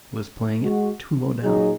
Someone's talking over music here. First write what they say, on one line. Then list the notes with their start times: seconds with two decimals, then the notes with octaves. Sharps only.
It was playing it too low down.
0.61 G#3 F#4
1.43 A#2 F#3 D#4 G#4